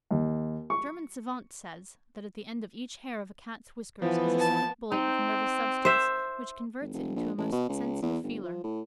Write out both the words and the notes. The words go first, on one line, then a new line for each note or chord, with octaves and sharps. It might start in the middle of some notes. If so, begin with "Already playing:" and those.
A German savant says, that at the end of each hair of a Cat's whiskers is a sort of bulb of nervous substance, which converts it into a most sensitive feeler.
D#2
C#6
E3 F3 B3
A5
C4 D#4
C5 E5
G#1
F1
A#1
A1
B2
C#2
E2
G1
F3
A2